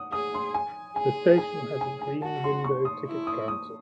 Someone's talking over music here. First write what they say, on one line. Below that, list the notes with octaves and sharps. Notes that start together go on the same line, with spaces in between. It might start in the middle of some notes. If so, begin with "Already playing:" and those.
The station has a Green Window ticket counter.
Already playing: F#5 D#6
G#4 D#6
C6
G#5
G#4 G#5
G#5
G#5
G#5
F#4 A5
C6
C#6
D#6
E4
D#6
D#6